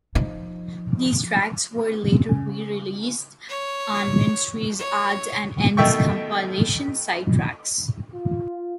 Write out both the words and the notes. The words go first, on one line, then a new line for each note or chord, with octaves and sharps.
These tracks were later re-released on Ministry's odds-and-ends compilation "Side Trax".
F3 D#4
C#3
C#5
C#5
B2 D#3 A3 E5 G5 C#6
F4